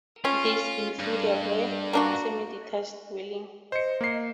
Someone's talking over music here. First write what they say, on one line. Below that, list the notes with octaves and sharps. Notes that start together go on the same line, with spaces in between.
These include a rare "semi-detached" dwelling.
C#4 F4
G2
A#3 D4 F#4
C5 D#5 C#7
A#3 C7